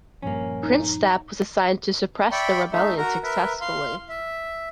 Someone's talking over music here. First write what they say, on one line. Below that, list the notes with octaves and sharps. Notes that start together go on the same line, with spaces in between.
Prince Thap was assigned to suppress the rebellion, successfully.
G2 A#2 F3 A#3 C#4
D#4
D5 E5 G5 B5 C#6
A3 D#4 E5
F#4 A#4 A#5
A#4 B4 E5
F5 C6
E5